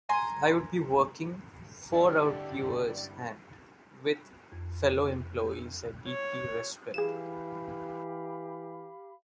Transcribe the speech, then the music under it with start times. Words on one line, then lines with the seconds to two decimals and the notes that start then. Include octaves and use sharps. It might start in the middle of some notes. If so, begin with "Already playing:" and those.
I would be working "for our viewers", and "with" fellow employees I deeply respect.
0.09 G#5 A#5 C6
1.94 G2 D3 D4 E4 G4 D5
4.52 F2
6.08 C#5
6.94 E3 G4 G#4 F5 B5 E7